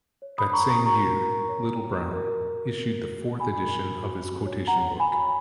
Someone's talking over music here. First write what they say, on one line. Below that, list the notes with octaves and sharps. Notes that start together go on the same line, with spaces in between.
That same year, Little, Brown issued the fourth edition of his quotation book.
C#5
C#5 B5 D#6
A#5 C#6
A#4
A#5 C#6
F#4 A#5 C#6
A#4
A#4
C#5
F#4
F#4
A#4
A#4
F#4
A#4
F#4
F#4
F#4 G#5 B5
A#4
F#4
F#4
F#4
C#5
F#4 F#5 A#5
C#5
G#5 B5
F#4